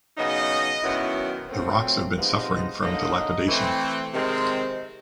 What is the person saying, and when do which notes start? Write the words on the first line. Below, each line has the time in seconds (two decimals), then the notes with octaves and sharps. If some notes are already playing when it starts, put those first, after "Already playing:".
The rocks have been suffering from dilapidation.
0.18 C#3 F#3 B3 D#4 D#5
0.84 F#2 D#3 F#3 B3 E4
1.49 A#2 F#3 A3 C4
2.16 C3 F3 G#3 B3 D#4
2.81 D3 F#3 A#3 D#4 D#5
3.47 E3 A3 C4
4.13 C3 D#3 G#3 C4